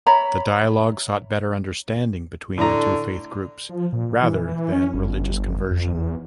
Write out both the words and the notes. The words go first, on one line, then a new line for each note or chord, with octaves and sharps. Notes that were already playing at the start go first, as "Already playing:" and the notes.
The Dialogue sought better understanding between the two faith groups rather than religious conversion.
C#5 E5 A#5 B5
A2 D3 A#5
F3
A#2
E3
C#4
G1
F2
E2